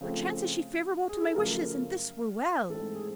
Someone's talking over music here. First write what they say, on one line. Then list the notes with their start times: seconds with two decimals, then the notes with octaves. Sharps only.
Perchance is she favourable to my wishes, and this were well!'
0.01 C#3 F3 A3 C4
1.09 G#4
1.22 A4
1.35 F#2 C#3 F3 A3 A#4
2.70 G#2 E3 A3 C4 A4
2.95 G#4